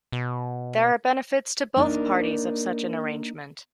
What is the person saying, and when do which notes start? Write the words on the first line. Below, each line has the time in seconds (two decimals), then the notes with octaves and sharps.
There are benefits to both parties of such an arrangement.
0.12 B2
1.76 A#3 D4 D#4 A#4